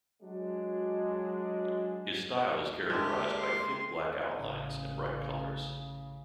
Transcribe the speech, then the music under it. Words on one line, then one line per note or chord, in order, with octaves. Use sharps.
His style is characterized by thick black outlines and bright colors.
F#3 G#3 D4
G#3 A#3 D4 G4 E5
C6
A1 C#3